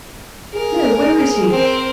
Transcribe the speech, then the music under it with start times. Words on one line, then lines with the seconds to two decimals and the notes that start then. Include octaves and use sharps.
"No, where is he?"
0.54 G#4 A#4
1.49 C4 A#4